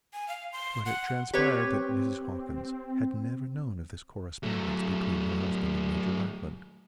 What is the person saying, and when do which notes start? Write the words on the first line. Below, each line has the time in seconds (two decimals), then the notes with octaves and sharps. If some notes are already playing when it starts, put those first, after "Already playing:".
But it transpired that Mrs. Hawkins had never known of this correspondence between her husband and Major Lackland.
0.13 G#5
0.28 F5
0.53 C6
0.86 F#5
1.33 C4 G4 B4 C#5
4.43 F#3 A3